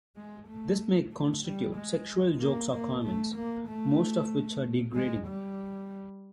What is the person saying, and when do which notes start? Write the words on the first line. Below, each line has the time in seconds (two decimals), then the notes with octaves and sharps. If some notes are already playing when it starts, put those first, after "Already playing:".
This may constitute sexual jokes or comments, most of which are degrading.
0.16 G#3
0.48 A3
1.12 A3
1.44 G3
1.76 G#3
2.40 A#3
2.71 A#3
3.03 A3
3.35 A#3
3.68 A3
4.94 G#3
5.27 G3